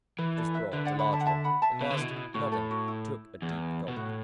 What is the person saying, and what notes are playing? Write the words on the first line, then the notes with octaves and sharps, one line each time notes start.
It was brought, a large one; and Marsden, nodding, took a deep gulp.
E3 B4
A4 D5
B4 E5
D3 B4 E5
D5 F#5
F#5 B5
E5 A5
F#5
E5 A5
F#5 B5
E5 A5
B2 B4 E5
D3
B2 E4
E4
A2 F#4
A4
F#4
E4
E2
B2
A2 F#4